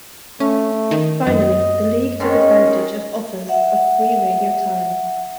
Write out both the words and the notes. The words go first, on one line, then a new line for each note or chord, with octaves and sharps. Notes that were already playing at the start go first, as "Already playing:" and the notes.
Finally, the League took advantage of offers of free radio time.
A3 C#4
D#3
F#2 D#5
G#2 D#3 C#4
E5 F#5